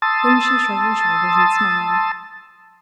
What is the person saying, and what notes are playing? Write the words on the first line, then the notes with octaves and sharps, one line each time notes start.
Then she shrugged her shoulders and smiled.
A5 C6 D#6 E6 A6